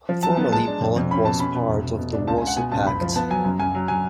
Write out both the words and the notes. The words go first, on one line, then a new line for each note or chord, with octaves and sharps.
Formerly, Poland was part of the Warsaw Pact.
F3
F#3 A5
B3
G#3 A5
D4
F2
F2
C#4 B5
B2 A5
C#4 B5
B2
F1
F1
B2
D4
C#2 A5
G#5
C#2
F#5
B2 G#5
C#2 A5
F#1 B5
F3
B3 A5
F#3 G#5
F#2
F#2 G#5
F#3
F#3 G#5